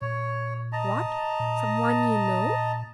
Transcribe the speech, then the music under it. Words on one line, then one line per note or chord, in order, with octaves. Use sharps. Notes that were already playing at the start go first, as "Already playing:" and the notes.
"What! someone you know?"
A#2 C#5
D#5 A5 A#5
A#2